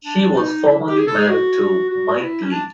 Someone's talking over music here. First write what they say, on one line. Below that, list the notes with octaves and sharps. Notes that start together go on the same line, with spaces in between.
She was also formerly married to Mike Lee.
D4
D4
D#4
E4
G4
G#4
A4
G#4
F#4
F#4
E4
C#4
D4